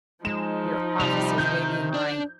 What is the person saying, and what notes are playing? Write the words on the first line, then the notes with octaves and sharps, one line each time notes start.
Your office is way behind.
F3 G#3 D#4 E7
C3 G3 F7
D#3 G6
D4 D5